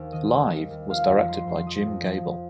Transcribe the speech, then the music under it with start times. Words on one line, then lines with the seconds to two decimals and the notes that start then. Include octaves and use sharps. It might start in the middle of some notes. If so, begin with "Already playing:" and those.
"Live" was directed by Jim Gable.
Already playing: D#2 C5
0.12 D#3 D#5
0.32 G3
0.51 D#2
0.71 D#2
0.89 F3 F5
1.08 F2 A#5
1.28 F3 C6
1.46 F2 C6
1.66 F3 D#6
1.86 F2
2.05 F3
2.23 F2